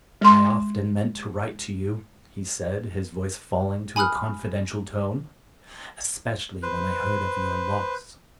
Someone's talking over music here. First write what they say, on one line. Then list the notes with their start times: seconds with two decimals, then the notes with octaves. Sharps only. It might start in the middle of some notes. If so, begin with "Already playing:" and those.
"I often meant to write to you," he said, his voice falling to a confidential tone, "especially when I heard of your loss."
0.21 G#3 C6
3.96 G#5 B5 D#6 F6 F#6
6.63 B4 C5